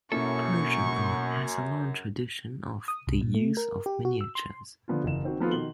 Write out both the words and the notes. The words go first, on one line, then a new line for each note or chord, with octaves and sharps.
Persian art has a long tradition of the use of miniatures.
F#2 B2 A#3 C#4 E4 A4 C#6
D#6
C2
A#2
A3
A#4
G4
F#4
E6
C6
D3 F3 B3 D4 F4
F#1 E3 E7
D#3 C4 F#4
D#3 F3 B3 F4 A4
B2 D#3 C6 F#7 G7